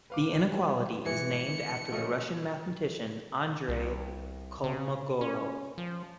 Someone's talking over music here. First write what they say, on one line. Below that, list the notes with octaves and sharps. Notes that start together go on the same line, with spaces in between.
The inequality is named after the Russian mathematician Andrey Kolmogorov.
B4 F5 D6
F#3 G3 G4
G#2 E3 C#7
F3 A3 C#4 F#4 D#5 F5
C2
C#3
C#4
F3